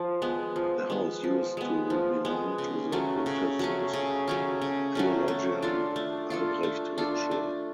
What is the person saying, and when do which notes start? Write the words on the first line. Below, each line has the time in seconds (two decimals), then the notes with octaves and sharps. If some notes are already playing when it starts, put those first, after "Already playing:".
The house used to belong to the Protestant theologian Albrecht Ritschl.
Already playing: F3
0.22 G#3 B3
0.56 F3
0.90 G#3 B3
1.23 F3
1.57 G#3 B3
1.90 F3
2.25 G#3 B3
2.58 C#3
2.92 F#3 A3 C#4
3.26 C#3
3.59 F#3 A3 C#4
3.93 C#3
4.28 F#3 A3 C#4
4.62 C#3
4.95 F#3 A3 C#4
5.28 A3
5.62 D4 F4 A4
5.96 A3
6.30 D4 F4 A4
6.63 A3
6.98 D4 F4 A4
7.31 A3